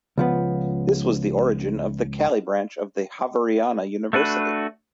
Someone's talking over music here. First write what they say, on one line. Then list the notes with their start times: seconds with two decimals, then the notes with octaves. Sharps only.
This was the origin of the Cali branch of the Javeriana University.
0.18 C#2 F3 B3
4.13 A3 D4 F#4 B4